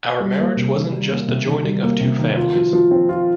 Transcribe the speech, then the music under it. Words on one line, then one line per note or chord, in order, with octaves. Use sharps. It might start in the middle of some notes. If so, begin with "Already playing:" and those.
Our marriage wasn't just the joining of two families.
G3
A#3
C3
D#3
G3
A#3
C3
D#3
G3
A#3
C3
D#3
F4
F3
F3
C4
F4